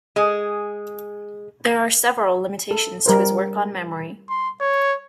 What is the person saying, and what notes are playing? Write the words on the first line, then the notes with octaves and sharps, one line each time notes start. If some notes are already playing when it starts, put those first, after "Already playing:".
There are several limitations to his work on memory.
G#3 G#4
A4
G3 A#4 C5
C6
C#5